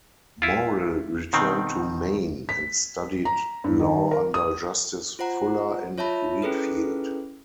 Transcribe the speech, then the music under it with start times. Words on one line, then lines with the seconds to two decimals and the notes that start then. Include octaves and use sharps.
Morrill returned to Maine and studied law under Justice Fuller in Readfield.
0.42 E4 F4
1.33 B2 D#3 C4
2.49 B6
3.25 A#5
3.64 G2
3.80 D#3
4.11 A#4
4.34 D#6
5.19 F4 C5 F#5 A#5
5.98 F4 C#5 E5 A5 B5
6.42 C#4 E4 G#4 A4 B4